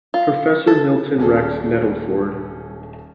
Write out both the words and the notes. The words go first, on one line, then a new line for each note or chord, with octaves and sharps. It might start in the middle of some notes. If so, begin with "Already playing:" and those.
Professor Milton "Rex" Nettleford.
F4
A4
D#1 C#4 G#4 A4